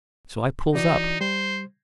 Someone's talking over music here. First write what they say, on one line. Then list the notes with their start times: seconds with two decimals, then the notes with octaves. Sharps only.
So I pulls up.
0.75 E3 D#4 F#4 D5
1.21 G3 C5